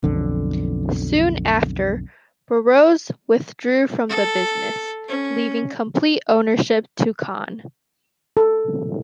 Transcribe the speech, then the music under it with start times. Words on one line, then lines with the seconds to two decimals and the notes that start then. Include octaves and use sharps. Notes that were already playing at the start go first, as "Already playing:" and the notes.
Soon after, Burroughs withdrew from the business, leaving complete ownership to Kahn.
0.04 B1 F2 D3
4.10 A4
5.08 C#4
8.37 A4